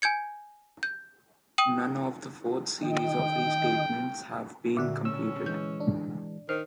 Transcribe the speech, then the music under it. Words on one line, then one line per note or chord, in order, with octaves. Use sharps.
None of the fourth series of Restatements have been completed.
G#5 G6 G#6 C#7
G6
G5 D#6 D#7 F#7
D#3 D#5 G5
A#2 D3 F#4 E5
C#4 E6
E3 G#3 G6
D4
D#3 C5 F6